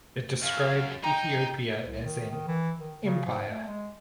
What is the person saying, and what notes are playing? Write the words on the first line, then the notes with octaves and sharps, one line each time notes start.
It described Ethiopia as an "empire".
F#2 F5
D#4 G5 A#5
C2
D#3
D#3
E3
D#3
C#3
G#2
A3
G#3